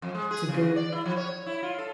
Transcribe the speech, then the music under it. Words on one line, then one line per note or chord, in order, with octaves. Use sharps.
to go
F2
G#3
G#4
C#3
F#4
D5
E4
F3
C#5
E4
F4
A4